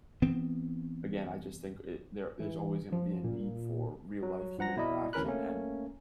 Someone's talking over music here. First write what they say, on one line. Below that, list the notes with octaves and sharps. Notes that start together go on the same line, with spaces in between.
again, I just think i there there's always gonna be a need for real life human interaction, and
E3 B3 C4
E3
F3
A#2
F#3
G2 F3 F#5 A#5 A#6
B2 E4 D5 D#5 B5
D2 E3 C#4 A#4 B5 F#6
A3 A#3 C#4